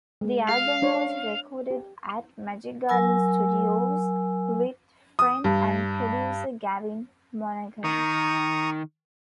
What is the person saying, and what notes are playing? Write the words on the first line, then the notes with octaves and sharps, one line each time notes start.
The album was recorded at Magic Garden Studios with friend and producer Gavin Monaghan.
G#3
G#4 F5
D4 C5 C#5
G4
F#3 A#4 G#5 E6
D#6
G2
D#3 A#5 C#6 D#6